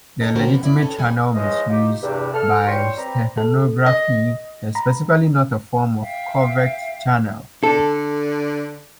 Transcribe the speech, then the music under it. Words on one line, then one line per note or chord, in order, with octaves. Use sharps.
The legitimate channel misuse by steganography is specifically not a form of covert channel.
D#4 A4 A#4
D3 A#3 C4 C#4 F#4 A#4
F3 A#3 B3
E4 D5
D#3 C#4 A4 B4 C#5
D#2 G3 D#5 F#5 G#5
E3 F3 G#3 C#5 D#5
D#4 F4 G4
E2 G2 C3
A4 F6
E3 G3 C#5 G5 C6 C#6
G3 C4 G4 B4 A#5
A4
D#5
A#5 B5
E5 F5 G5
D3 A4